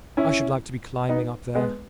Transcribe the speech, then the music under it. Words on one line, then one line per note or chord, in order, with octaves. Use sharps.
I should like to be climbing up there!
C#4 E4
B3 D#4
G#3 B3